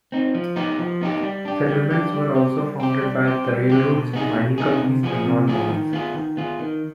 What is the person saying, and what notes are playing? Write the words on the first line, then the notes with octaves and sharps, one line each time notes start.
Settlements were also founded by the railroads, mining companies and non-Mormons.
C4 D#4
F3
B3 D#4 G4
F3
B3 D#4 G4
G3
D4 G4
G3
D4 G4
G3
C4 G4
G3
C4 G4
G3
C4 G4
G3
C4 G4
B2
B3 D#4 G#4
B2
B3 D#4 G#4
C3
F3 B3 F4 G#4
C3
F3 B3 F4 G#4
D#3
B3 F4 G#4
D#3
B3 F4 G#4
D#3